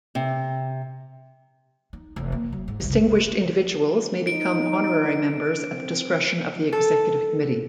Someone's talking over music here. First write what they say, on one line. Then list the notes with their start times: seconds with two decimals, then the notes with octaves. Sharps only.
Distinguished individuals may become honorary members at the discretion of the Executive Committee.
0.15 C3
1.93 D#4
2.16 F1 E3
2.32 A#3
2.53 F#3
2.68 G#2
2.80 F#1 C2
4.27 D#4 D7
5.69 C4
6.73 A4